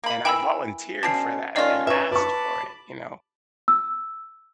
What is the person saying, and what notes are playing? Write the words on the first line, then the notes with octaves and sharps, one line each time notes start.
and I volunteered for that, and asked for it, you know?
A#3 B5
E3 A#4 E5 G5 B5 E6
B2 D3 C#4 A5 C7
D#3 A3 C#4 F4 D5 D#5 C7
B4 C#5 E5
B4 A5 B5 C#6 D6
E6